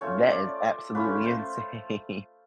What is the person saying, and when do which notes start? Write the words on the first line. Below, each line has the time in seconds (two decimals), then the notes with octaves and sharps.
That is absolutely insane.
0.01 A3 C#4 F4 C#5
0.32 D5
0.95 A3 C#4 F4 B4
1.25 C5